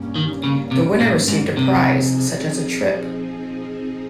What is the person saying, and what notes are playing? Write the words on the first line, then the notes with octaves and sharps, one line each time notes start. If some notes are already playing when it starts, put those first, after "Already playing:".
The winner received a prize such as a trip.
Already playing: G2 G3 A#3 C#4
D#3
C#3
C3
A#2
G#2
C3 F3 C4 D#4 G#4